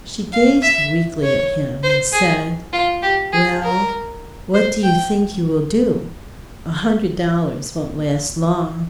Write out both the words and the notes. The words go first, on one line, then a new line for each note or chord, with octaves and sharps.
She gazed weakly at him and said: "Well, what do you think you will do? A hundred dollars won't last long."
F5
E5
C#5
C5
G#4
F4
G4
G#4
A#4
C5
G5